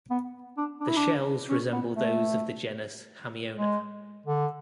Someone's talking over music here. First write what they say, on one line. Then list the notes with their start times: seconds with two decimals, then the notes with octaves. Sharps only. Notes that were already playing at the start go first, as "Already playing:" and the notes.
The shells resemble those of the genus "Haminoea".
0.11 B3
0.57 D4
0.80 D4
0.88 E4
0.97 D4
1.50 C#4
1.73 B3
1.95 A3
3.57 G#3
4.26 D3